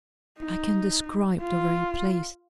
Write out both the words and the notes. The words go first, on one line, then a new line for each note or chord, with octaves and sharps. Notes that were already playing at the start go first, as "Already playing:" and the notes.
I can describe the very place.
D#4
F4